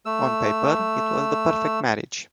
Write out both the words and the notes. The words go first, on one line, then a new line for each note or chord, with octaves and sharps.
On paper it was the perfect marriage.
A3 E6